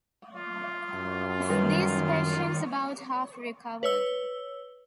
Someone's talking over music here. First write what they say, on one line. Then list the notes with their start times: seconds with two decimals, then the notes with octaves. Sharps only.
Of these patients about half recovered.
0.36 F4
0.94 F#2
1.50 D#3 G3 B4
3.83 B4 C#5 E6 G7